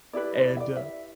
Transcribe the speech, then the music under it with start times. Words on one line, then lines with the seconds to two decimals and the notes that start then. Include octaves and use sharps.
and, uh
0.13 E4 G4 B4 D5
0.45 D5
0.57 E5
0.60 D5
0.77 E5